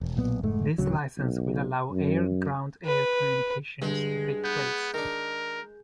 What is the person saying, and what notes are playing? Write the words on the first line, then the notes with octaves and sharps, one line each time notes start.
This license will allow air-ground-air communications to take place.
E1
B1 A#2 B3
F1 G#2 A3
D1 D2 C#3 F#3
B1
F#2
B4
G2 D3 G#3
B3 G6
D#3 D4 A#4